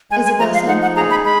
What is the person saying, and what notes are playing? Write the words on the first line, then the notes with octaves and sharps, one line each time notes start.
Isabel suddenly got up.
G#3 G#5
G#5
F3 A#5
F5
D#4 F#5
F#5
G#4 A#5
B5
G#3 B5